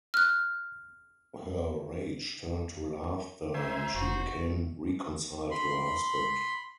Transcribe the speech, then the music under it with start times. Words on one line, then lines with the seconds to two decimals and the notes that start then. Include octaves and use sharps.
Her rage turned to laughter, and she became reconciled to her husband.
0.14 F6 F#6
3.54 C5 E5 G#5 A#5
3.95 F1 F#4 C5
5.51 B5 C6